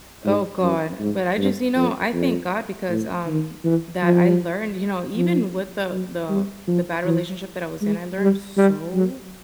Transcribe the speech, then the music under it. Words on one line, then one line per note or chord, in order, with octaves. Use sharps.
Oh, God, but I just, you know, I thank God because, um that, I learned, you know, even with the the the bad relationship that I was in, I learned so,
G#2
F#2
G#2
G2
F2
F2
A2
D#3
E3
F3
F3
F#3
G3
F3
E3
G#3
G3
G3
F#3